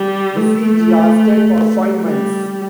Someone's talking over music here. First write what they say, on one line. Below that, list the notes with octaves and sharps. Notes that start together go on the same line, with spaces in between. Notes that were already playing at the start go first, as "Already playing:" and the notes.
The siege lasted for five months.
Already playing: G3
A3
G3